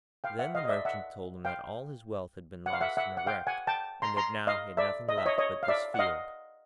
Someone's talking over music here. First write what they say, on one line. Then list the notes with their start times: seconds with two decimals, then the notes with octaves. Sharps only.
Then the Merchant told him that all his wealth had been lost in a wreck, and that now he had nothing left but this field.
0.24 F5 G5
0.39 E5 F#5
0.55 D#5 F5
0.65 D#5
0.69 D5 E5
0.85 E5 F#5
1.45 F5 G5
2.66 F#5
2.73 F5
2.81 E5 F#5
2.97 E5 F#5
3.17 F#5
3.27 F5 G5
3.47 F#5 G#5
3.67 G5 A5
4.02 A#5 C6
4.17 A#5 C6
4.47 D#5 F5
4.77 D5 E5
5.09 D#5
5.17 E5
5.26 C#5 D#5
5.38 C#5 D#5
5.63 F5
5.68 D5 E5
5.94 F#5
5.99 D#5 F5